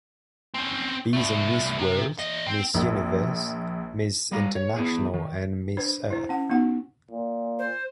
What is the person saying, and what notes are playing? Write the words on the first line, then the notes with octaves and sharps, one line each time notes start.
These are Miss World, Miss Universe, Miss International and Miss Earth.
C4 C#4
C2 A3
C3
E3 D#5
C4
A#1
G3 F5 A#5
C#5
B3 E4 G#4
D#3
D4 B4 C5
E4 C5 A#5
C#4 F#5
B3 D#4 F#4 F#5
A#2
C5